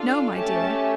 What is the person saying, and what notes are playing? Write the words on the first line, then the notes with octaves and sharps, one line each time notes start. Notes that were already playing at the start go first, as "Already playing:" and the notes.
"No, my dear."
Already playing: D4 F4 A4 F5
A3 C#4 G4 A5